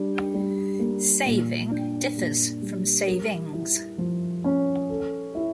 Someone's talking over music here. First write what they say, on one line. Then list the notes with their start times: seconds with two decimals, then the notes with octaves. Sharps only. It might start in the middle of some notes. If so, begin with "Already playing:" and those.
"Saving" differs from "savings".
Already playing: G3 D4
0.34 G3
0.79 A#3
1.26 A#2
1.70 D4
2.17 A#2
2.62 G3
3.07 A#4
3.53 E4
3.98 F3
4.44 C#4
4.89 A4
5.35 E4